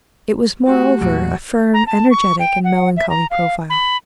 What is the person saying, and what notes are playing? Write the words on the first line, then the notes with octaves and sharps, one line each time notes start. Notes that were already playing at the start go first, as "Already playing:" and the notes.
It was, moreover, a firm, energetic, and melancholy profile.
A3 F#4 G4
E2 A#2 F#3 F#4
A#5
A5
C#6
G5
F#5
E5
A#5
F5
B5